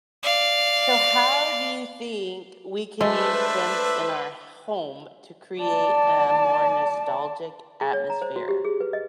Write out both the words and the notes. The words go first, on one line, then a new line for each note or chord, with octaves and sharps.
So how do you think we can use scents in our home to create a more nostalgic atmosphere?
D5 F5
G#3 A3 D4 B4 C5 E5
D5 A5
G#4
C#5
A#5
C5
F#4
G4
G#4
B4
D#5